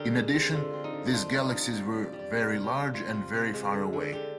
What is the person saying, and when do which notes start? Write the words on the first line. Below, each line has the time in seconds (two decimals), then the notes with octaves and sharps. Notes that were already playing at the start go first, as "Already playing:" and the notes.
In addition, these galaxies were very large and very far away.
Already playing: D3 G4 A#4 D5
0.13 G#3
0.33 C4
0.53 D3 F4
0.73 C4
0.84 D#4
0.93 D3
1.13 D4 F4
1.34 G3
1.43 D#4
1.54 D4
1.73 G3 D5
1.93 G3
2.03 D5
2.13 G3
2.19 D5
2.33 C3 A#4
2.53 C3
2.64 G4
2.73 C3
2.93 C3 F4
3.13 C3
3.33 C3
3.53 G#3
3.73 D3
3.93 D3
4.13 D3 G4